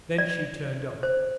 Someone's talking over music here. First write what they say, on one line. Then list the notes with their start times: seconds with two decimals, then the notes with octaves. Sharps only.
Then she turned up.
0.18 D5
1.03 C5